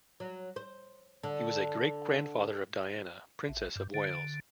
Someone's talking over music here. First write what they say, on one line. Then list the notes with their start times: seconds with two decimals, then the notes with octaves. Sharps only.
He was a great-grandfather of Diana, Princess of Wales.
0.20 F#3
0.56 C5
1.23 D3
3.49 A1
3.76 G2
3.94 D3